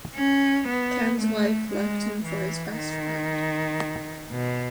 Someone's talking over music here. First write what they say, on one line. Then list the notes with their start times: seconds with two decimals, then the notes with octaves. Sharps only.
Ken's wife left him for his best friend.
0.15 C#4
0.68 B3
1.20 A3
1.72 G#3
2.24 E3
2.76 D#3
4.32 B2